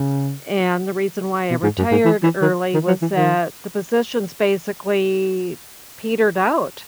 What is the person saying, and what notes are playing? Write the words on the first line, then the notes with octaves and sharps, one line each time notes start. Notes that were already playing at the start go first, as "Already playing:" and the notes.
and the reason why I retired early was that the positions basically petered out.
Already playing: C#3
B2
G#2
F#2
G#2
E3
E3
D#3
D#3
F#3
E3
D#3